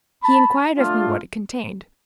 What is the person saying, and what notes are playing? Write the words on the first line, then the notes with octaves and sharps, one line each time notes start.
He inquired of me what it contained.
A5 B5
A3 D4 F4